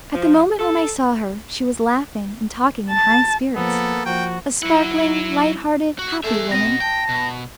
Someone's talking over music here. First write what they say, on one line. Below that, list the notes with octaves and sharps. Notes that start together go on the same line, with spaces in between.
At the moment when I saw her she was laughing and talking in high spirits--a sparkling, light-hearted, happy woman.
F3
A4
A5
F3 A#3 B3 A4
F3 F#4 G5
F#3 E4 F#5
F#4
G#4 A4 E5
B2 C4 D#5 A#6
G5 A5
B2